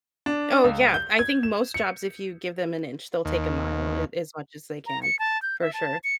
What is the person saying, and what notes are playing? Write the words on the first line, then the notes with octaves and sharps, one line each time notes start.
Oh yeah, I think most jobs if you give them an inch, they'll take a mile, a as much as they can, for sure.
D4
C#2
G6
G#6
E7
C#7
D#2
A#5
C#7
A5
G6
E5
A5
C#7